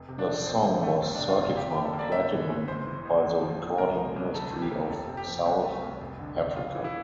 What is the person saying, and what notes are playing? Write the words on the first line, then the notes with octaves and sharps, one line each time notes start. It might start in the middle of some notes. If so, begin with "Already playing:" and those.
The song was certified platinum by the Recording Industry of South Africa.
Already playing: F1
C3
D4
F3
A1 C4
D3
A3
F1 C4
C3 D4
F4
F1
F4
F2 G4
G4
G3
A4
A#3
D5
G1 E5
E3
G1
A1 C5
E3
A1
F2
F3
A3
C2 A#4
F3
C2
D2 A4
E3
G4
A#3
F1 A4
C3
G4
F3
C2
A3
C2
F1
D3
F1
F2 F4
E3
E4